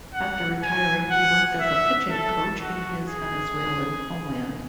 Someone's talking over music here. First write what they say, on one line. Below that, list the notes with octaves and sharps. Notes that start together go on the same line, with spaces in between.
After retiring he worked as a pitching coach in his Venezuelan homeland.
F#5
G#5
F#5
E5
A4
F#4
G#4